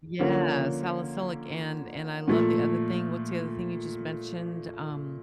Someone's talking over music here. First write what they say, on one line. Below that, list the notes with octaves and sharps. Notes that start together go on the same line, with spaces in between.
Yeah, salicylic, and and I love the other thing. What's the other thing you just mentioned, um
D3 F3 A#3 C#4
A#2 F3 A3